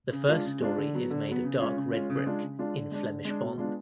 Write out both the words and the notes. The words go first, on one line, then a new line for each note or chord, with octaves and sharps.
The first story is made of dark red brick in Flemish bond.
C#3
G#3 D4 F4
C#3
G#3 D4 F4
D3
F#3 B3
D3
F#3 B3
C#3
G#3 C#4 F4
C#3
G#3 C#4 F4
C#3
G#3 D4 F4
C#3
G#3 D4 F4
D3
G#3 D4
D3
G#3 D4
B2
G#3 B3 D4 F4